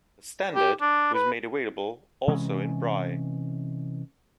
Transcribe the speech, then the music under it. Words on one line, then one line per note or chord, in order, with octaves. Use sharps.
The standard was made available also in Braille.
G4
D4
B4
C3 E3 G#3 C#4